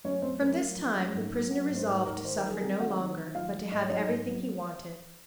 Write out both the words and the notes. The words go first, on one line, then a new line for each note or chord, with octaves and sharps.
From this time the prisoner resolved to suffer no longer, but to have everything he wanted.
F#2 C#4 C#5
F#2 C4 C5
F#2 A#4
F#2
F3
F#2
G#2
F#3
F#3
G#2
C5
G#2 A#4
G#2 A#4
D#3 C5
A#4
F#3
G#4
C3 A#4
D#3 F#4 F#5
D#3
D#3
F#3 F4 F5
F#3
G#2 D#4 D#5
C#5
F#3 D#4 D#5
G#2
F#3